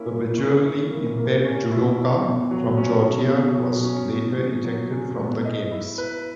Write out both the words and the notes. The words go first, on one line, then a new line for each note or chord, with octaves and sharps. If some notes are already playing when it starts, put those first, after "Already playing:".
The visually impaired judoka from Georgia was later ejected from the games.
Already playing: A#3 C#4 E4
A#3
C#4
E4
A#3
A#3
C#4
E4
B2
B2
F#3
C#4
B2
B2
F#3
C#4
B2
B2
F#3
C#4
B3
D#5
E4
B4